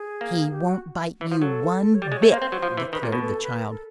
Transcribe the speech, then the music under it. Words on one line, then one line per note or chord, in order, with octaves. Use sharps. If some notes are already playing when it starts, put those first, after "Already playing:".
"He won't bite you one bit," declared the child.
Already playing: G#4
A#3
G4
F#4
E3
F3
F#3 A4
C#5
G3 D5
G#3
C#5
A3
A#3 C5
C4
F#3
F3
E3
D#3 B4
A#2 A#4
B2 B4
A4
B4
A#4
A4